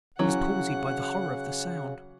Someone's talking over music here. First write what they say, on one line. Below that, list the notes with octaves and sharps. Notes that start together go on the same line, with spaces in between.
I was palsied by the horror of the sound.
C#3 E3 F#3 C#4 F#5